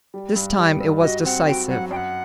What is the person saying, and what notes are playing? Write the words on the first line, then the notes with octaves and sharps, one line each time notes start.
This time, it was decisive.
G3
G2
G3
G2
F#4 D#5
C4 F#5
F#4 G5
F#3 F#5
F#2 G5
F#5